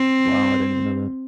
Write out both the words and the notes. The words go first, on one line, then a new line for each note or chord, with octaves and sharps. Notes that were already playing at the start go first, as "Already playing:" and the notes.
Wow, I didn't even know that.
Already playing: C4